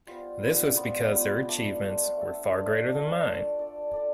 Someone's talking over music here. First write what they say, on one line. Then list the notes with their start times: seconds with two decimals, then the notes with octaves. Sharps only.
This was because their achievements were far greater than mine.
0.07 G3 B3 F4 C5
0.42 G3 B3 F4 C5
0.76 G3 B3 F4 C5
1.12 G3 B3 F4 C5
1.48 A3 D4 A4
1.82 A3 D4 A4
2.17 A3 D4 A4
2.52 A3 D4 A4
2.87 D4 A4 D5
3.23 D4 A4 D5
3.59 D4 A4 D5
3.93 D4 A4 D5